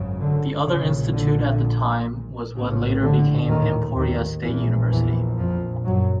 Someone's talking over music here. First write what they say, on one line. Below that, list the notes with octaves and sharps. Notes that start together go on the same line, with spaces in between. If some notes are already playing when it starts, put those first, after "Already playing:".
The other institute at the time was what later became Emporia State University.
Already playing: G#1 F#2 C#3
D3
A#1 A#2 C#3
D3
A#1 A2 C#3
D3
D#2 D#3
D#2 D#3
A#1 E2 A#2 E3
E2 E3
F2 F3
F#2 F#3